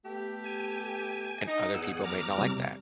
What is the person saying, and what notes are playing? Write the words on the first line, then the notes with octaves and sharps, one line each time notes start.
and other people might not like that.
A3 B3 G4
G#5
D#4
E2 G#4 F#5 E6 D7
A#5 D6 F6
C3 G3